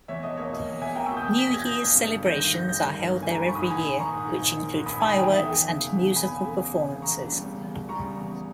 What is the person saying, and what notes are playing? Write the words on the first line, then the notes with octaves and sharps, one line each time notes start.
New Year's celebrations are held there every year which include fireworks and musical performances.
E2 C#5 E5
E1 D#5
A#3 C#5
B2 D#5
E2
E1 E5 G#5
A#3 G5 A#5
C#6 E6
B2
D#6 G6
E2
E1 B6
A#6
A#3 G#6
G6 A#6
B2
G2
G1
G3
D#3 G6 A#6
G2
G1 G6 A#6
G3 G6 A#6
D#3
G2
G1
G#5
G3 A#5
D#3 B5
C#6
G#2 B5 D#6
A#1 G#5 B5
A#1
D#3 A#5 C#6
G#2
A#1
A#1
D#3
G#2
A#1 B5 D#6
A#1 G#5 B5
D#3 G5 A#5
E2 E5 G#5
E1
E1
C#3
E2
E1
E1 G#5 B5
C#3
E2
E1
E1
C#3
E2 A#5 C#6
E1
G3
C#3
E2
E1
G3 A#5 C#6
C#3
E2